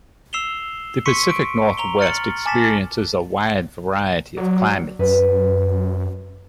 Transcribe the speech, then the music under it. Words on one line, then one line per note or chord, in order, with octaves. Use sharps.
The Pacific Northwest experiences a wide variety of climates.
E6 C7 E7 F7 G7
C6 C#6 B6 C#7 D#7
D7
A#5 F7 G7
F6 A6 C#7 F#7
G#5 A5 D6 A6 B6 E7
F#3 D5
F#2 B4